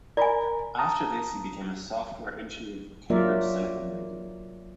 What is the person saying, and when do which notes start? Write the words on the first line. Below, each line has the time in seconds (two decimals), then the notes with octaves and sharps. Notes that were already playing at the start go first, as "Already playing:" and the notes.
After this he became a software engineer for Cambridge Silicon Radio.
0.17 A#4 D5 G#5 A#5 B5
0.79 A5 A#5 D#6
3.10 F#3 A#3 F4 A#4 D5 E5